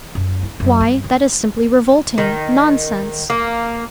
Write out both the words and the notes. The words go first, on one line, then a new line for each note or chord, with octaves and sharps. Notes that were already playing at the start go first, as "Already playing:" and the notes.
Why, that is simply revolting, nonsense.
F#2
E4
F#2
G2
D#3
D#3
A#3